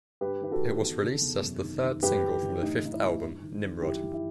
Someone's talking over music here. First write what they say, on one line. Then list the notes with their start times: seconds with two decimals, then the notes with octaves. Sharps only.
It was released as the third single from their fifth album, "Nimrod".
0.21 G2 G4 B4
0.41 D#3 B4
0.51 F#4 A4
0.61 D#3
0.82 E2
1.02 C3
1.21 E2
1.42 F#2
1.62 D#3
1.82 D#3
2.02 F#2 G4 B4
2.22 E3
2.43 E3
2.62 A2 D#4
2.82 E3 D#4
2.92 E4
3.03 E3
3.23 G2
3.42 D#3
3.63 D#3
3.82 F#2 E4 G4
4.03 E3
4.13 E4